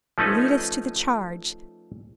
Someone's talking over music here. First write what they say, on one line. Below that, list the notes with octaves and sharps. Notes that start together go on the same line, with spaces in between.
Lead us to the charge!
F3 A3 C#4 D#4 B4